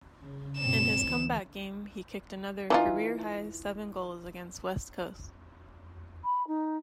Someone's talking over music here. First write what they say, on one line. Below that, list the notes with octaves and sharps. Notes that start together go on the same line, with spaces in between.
In his comeback game he kicked another career-high seven goals against West Coast.
C#3
G2 B2 C4 E7
D2 E3
E3 D#4 F4
B5
D#4